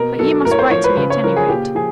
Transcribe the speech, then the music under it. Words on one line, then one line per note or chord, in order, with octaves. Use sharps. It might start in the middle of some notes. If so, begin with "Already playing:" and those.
"But you must write to me at any rate."
Already playing: B2 A#4
F#3 A4
A2 A#4
C#5
C5
F3 C#5
B4
C#3 B4
C#5
F3 A#4
G#4
A#2 G4
F3 G#4